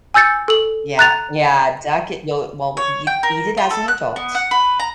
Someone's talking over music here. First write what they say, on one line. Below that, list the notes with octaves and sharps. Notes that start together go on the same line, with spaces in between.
Yeah. Yeah, duck it you'll well w you'd eat it as an adult
G#5 E6 G6 A6 C#7
A4 F#7
A#5 F#6 A6 F7
C#5
G5
A#4
F4
A4
F#6
B3
F#5
B4
A#5